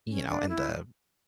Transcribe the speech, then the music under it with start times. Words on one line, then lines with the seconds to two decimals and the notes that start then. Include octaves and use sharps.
you know, in the
0.09 C#4
0.29 D4
0.49 E4